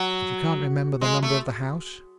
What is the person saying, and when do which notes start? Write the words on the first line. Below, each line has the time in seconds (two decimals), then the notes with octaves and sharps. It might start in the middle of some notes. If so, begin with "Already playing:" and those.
"And you can't remember the number of the house?"
Already playing: F#3
1.01 G#3
1.23 A3